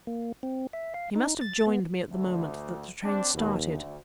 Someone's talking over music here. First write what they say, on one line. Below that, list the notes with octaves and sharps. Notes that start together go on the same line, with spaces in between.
He must have joined me at the moment that the train started.
A#3
C4
E5
F5
D#4
A6
B3
D2
C4 D4
D#2 B2
D2